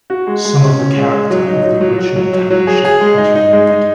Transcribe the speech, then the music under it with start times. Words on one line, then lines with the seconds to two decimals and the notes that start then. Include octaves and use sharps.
Some of the character of the original township has remained.
0.10 F#4
0.27 G#3
0.45 G#3
0.61 C#4
0.79 C#4
0.96 G#3
1.13 G#3
1.30 F#3
1.47 D#4
1.65 F#3
1.81 F#3
1.99 F#3
2.16 F#3
2.33 F#3
2.50 F#3
2.67 G#4
2.85 G#4
3.01 G#3
3.18 D#4
3.35 D#4
3.53 G#3
3.70 D#4